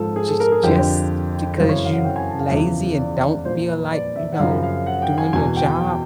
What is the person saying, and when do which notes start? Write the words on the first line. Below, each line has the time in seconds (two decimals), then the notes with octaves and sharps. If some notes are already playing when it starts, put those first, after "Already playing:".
jus just because you lazy and don't feel like, you know, doing your job,
Already playing: G#2 F3 A4
0.16 G#4
0.28 A4
0.40 A#4
0.52 G#4
0.63 F2 D3 F3 G4
1.57 F#2 C#3 E3 C5
1.69 C#5
1.85 F5
1.92 F#5
2.04 G5
2.16 G#5
2.28 A5
2.39 F5
2.51 E2 C#3 F3 E5
2.98 D5
3.22 D5
3.45 A#2 F3 C5
3.69 B4
3.92 D5
4.16 E5
4.32 F#5
4.39 F#2 C#3 F3 F5
4.63 F5
4.86 F#5
5.02 G5
5.18 G#5
5.33 E2 B2 G#5
5.56 G5
5.80 G5